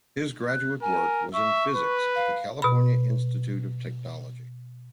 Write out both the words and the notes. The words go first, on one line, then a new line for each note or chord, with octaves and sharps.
His graduate work was in physics at the California Institute of Technology.
F#6
A#4 G#5
E5 C#6
B4
F5
B2 B5